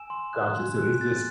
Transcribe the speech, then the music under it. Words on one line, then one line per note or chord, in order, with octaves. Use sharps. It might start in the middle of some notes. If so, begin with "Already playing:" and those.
Gotcha. So is this
Already playing: G#5 E6 E7
C6
F#6
C6
F#6
F#6 A6